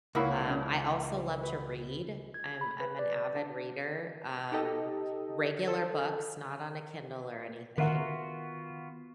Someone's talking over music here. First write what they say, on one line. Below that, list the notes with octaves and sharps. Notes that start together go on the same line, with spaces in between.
Um, I also love to read. I'm I'm an avid reader, um, regular books, not on a Kindle or anything.
C#2 A#3 E4 C#5 F#5
C#4 D4
B4
G#6
B5
B4
D5
D4
D#4 G4 A4 D#5
A4
D#3 B3 F4 F#4 A#4 E5 F#5